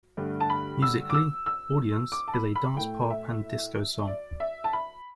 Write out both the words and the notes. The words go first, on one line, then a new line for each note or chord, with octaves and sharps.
Musically, "Audience" is a dance-pop and disco song.
G2 D3 A3
A5
B5
E6
D6
E6
E6
D6
A5
B5
B5
A2 A3 G5
E5
D5
E5
A5
B5